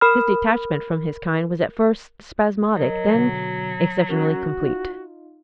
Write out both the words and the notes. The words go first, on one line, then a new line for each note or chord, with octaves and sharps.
His detachment from his kind was at first spasmodic, then exceptionally complete.
A#4 B5 F6
F#3 A#4 D#5
B2 D3 F#4
C#4 F#4 A#4
D#4 F4